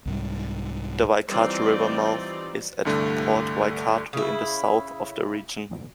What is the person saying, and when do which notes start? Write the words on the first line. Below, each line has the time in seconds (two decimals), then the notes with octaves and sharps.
The Waikato River mouth is at Port Waikato in the south of the region.
0.06 C2 G#2 G3
1.28 E3 G3 C4 D#4 F4 D5
2.85 C2 G2 D3 A3
4.13 C#3 E4